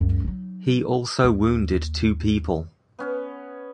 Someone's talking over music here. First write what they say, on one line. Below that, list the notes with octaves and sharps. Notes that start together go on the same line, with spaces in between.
He also wounded two people.
C#2 F#2
F#3 D#4
D#2
B3 C#4